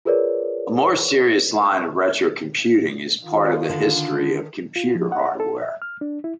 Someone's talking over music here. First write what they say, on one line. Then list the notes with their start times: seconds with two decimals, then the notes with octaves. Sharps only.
A more serious line of retrocomputing is part of the history of computer hardware.
0.05 F4 G#4 A#4 B4 C#5 D5
3.24 D#3 F4
3.69 D3
4.76 F4
4.95 F3
5.12 F#5
5.40 A4
5.62 E5
5.82 F6
6.01 D4
6.24 E4